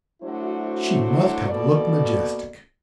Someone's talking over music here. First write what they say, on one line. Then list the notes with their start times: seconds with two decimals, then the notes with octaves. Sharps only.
She must have looked majestic.
0.23 F#3 A3 D4 E4 F#4 C5
1.49 B2 A#3 A4 D5